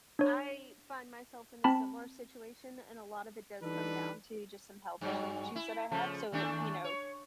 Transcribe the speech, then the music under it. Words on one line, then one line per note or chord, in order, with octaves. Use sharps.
I find myself in a similar situation and a lot of it does come down to just some health issues that I have. So, it you know,
D4 C#5
C4 A5 B5
E3 G3 D4 D#4 A4 B4
G2 F#3
E4
C#3 F3 A3
D#2 A3 D4
C#5